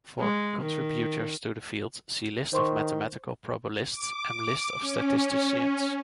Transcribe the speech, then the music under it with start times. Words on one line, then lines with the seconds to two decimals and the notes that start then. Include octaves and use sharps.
For contributors to the field, see list of mathematical probabilists and list of statisticians.
0.20 G#3
0.61 D#3
2.53 D#3 C5 C6 C#6
3.90 D6
4.80 C#4